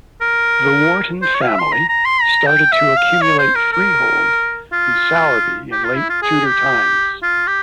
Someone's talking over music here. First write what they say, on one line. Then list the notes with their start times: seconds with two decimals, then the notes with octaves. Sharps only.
The Wharton family started to accumulate freehold in Sowerby in late Tudor times.
0.22 A#4
1.22 C5
1.35 C#5
1.42 F5
1.48 E5
1.59 C6
1.72 A#5
1.89 A#5
2.05 C6
2.22 A#5
2.47 G5
2.72 E5
2.97 F5
3.22 C#5
3.39 C5
3.55 A#4
3.73 A#4
4.73 F4
5.72 G4
5.84 F4
5.97 E4
6.10 F4
6.22 G#4
6.47 G4
7.23 F4
7.47 G4